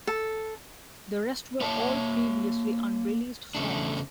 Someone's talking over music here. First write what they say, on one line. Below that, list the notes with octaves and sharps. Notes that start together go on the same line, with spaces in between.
The rest were all previously unreleased songs.
A4
A#3 C#5 E5 A5
E2 C#3 A3 D4